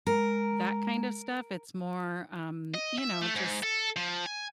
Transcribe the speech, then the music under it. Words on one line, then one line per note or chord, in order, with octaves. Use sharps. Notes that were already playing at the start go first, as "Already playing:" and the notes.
that kind of stuff, it's more, um, you know, just
G#3 A#4 A#5
D#5
E5
A3
G#2
A4
F3
G#5